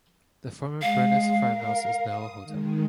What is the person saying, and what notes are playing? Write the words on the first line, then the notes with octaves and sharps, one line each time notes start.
The former Byrness farmhouse is now a hotel.
G#3 F5
A#4
D#6
D#3 G#3